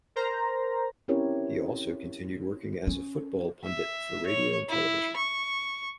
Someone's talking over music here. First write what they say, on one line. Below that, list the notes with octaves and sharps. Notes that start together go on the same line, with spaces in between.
He also continued working as a football pundit for radio and television.
A#4 C5 A#5
C4 C#4 E4 G4 A#4 C#5
C#4
E5
C#5
E4
C#6